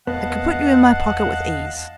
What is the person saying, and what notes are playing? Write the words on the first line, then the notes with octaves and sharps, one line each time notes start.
I could put you in my pocket with ease.
E2 B3 D#5 F5 F#5 A5